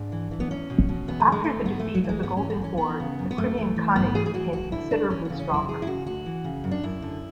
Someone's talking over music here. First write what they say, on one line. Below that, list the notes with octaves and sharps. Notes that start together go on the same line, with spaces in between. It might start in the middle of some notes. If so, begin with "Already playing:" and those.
After the defeat of the Golden Horde, the Crimean Khanate became considerably stronger.
Already playing: G#2 D4
E3
E3
B3
E2 C#4
B2
B2
E2 B3
A3
D3
G#3
D3 A3
G#2 B3
A3
E3
F#3
E3 A3
G#3
G#2 B3
C#4
E3
B3
E3 C#4
E3 B3
C#3
F#2
B3
F#2 A3
E3
E3
G#2 B3
E3 G#4
G#4
E3 F#4
D2 F#4
D3 E4
D3 D4
E3 C#4
C#3 B3
C#4
F#2 E4
E3 G#4
E4
C#3 F#4
D2 F#4
E3
C#3
F#2
D4
F#2 E4
D3